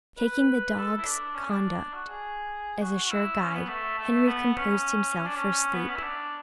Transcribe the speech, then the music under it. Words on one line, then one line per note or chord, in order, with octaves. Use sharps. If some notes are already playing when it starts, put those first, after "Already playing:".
Taking the dog's conduct as a sure guide, Henry composed himself for sleep.
B4
A4
E4
D4
C#4
D4
F#4
G#4
F#4
F#4
E4
C#4
B3
A3
A3
B3
C#4
C#4
D4
C#4
B3
C#4
E4
D4